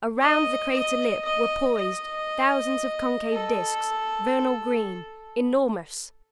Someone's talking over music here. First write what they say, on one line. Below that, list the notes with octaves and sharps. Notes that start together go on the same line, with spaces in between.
Around the crater lip were poised thousands of concave disks, vernal green, enormous.
D#5
D#5
D#5
D#5
A4